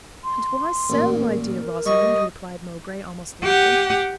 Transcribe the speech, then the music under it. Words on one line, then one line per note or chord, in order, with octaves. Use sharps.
"And why so, my dear Rosalind?" replied Mowbray, almost laughing.
C6
A1 A#2
A#4
G3 D#5 C#6
G4 F#5